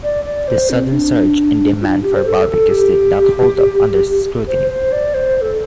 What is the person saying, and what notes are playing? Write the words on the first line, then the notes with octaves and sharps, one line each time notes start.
The sudden surge in demand for barbecues did not hold up under scrutiny.
D5
D5
C5
C4
D4
F4
D4
G4
C5
A4
A4
G4
C5
C5
D5
C5
C5
A4